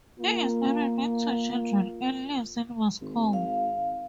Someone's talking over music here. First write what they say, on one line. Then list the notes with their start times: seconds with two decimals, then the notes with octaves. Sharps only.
He is married with two children, and lives in Moscow.
0.20 A#3 F4
3.01 G#1
3.33 F5